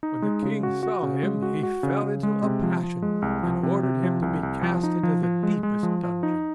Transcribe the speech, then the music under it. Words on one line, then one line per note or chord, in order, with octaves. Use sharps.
When the king saw him he fell into a passion, and ordered him to be cast into the deepest dungeon.
D#4
G#3
C#3
F#4
F#4
C#3
G#3
F#4
F#4
C#3
C#3
G#3
C3
F3
F3
G#3
C2
F3
C3
C3
F3
C2
C2
F3
D#4
F3
F3
G#3
G#3
F3
F3
D#4